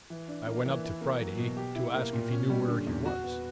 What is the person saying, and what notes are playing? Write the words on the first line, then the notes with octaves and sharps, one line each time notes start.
I went up to Friday, to ask if he knew where he was.
E3
D4
A#3
E3
E4
A#3
F#3
B2
G4
E4
A#3
A#2
C#4
G3
D3
E2
F#4
B3